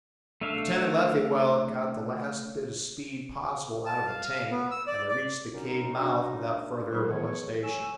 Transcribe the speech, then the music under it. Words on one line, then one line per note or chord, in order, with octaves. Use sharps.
Lieutenant Leffingwell got the last bit of speed possible out of the tank and they reached the cave mouth without further molestation.
A3 D4 E5 F5
A5
F5
F5
B3
E6
D5
D5
F#2 C#4 D#4
D4 F#4
A#2 F#3 G#3 D#4 C5
A2 D#3 E3 G#3 B3 C#5
C#5 G#5 E6